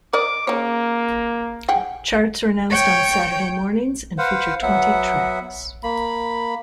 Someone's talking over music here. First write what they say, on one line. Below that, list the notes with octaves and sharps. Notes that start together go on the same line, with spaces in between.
Charts are announced on Saturday mornings and feature twenty tracks.
A#4 D5 D#5 D6
C#3 A#3 C#5
G#4 F#5 G5
C#5 G5
B4 C5 F5 F#5
F#3 B3 E5 F#5
A#3 B5